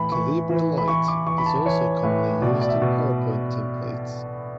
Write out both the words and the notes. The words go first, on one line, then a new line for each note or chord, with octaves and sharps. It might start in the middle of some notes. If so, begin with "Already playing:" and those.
Calibri Light is also commonly used in Powerpoint templates.
Already playing: A2 E3 B5
E3 C#6
E3
B5
E3 C#6
D6
E3 C#6
B5
A5
E3 C#5
A2 B4
B2 D5
D5
E5
B2